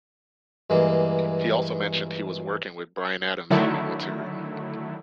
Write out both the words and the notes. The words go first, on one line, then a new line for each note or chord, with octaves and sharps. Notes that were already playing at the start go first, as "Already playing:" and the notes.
He also mentioned he was working with Bryan Adams on new material.
G2 E3 G#3 A#3
D3 D#3 F#3 A3 E4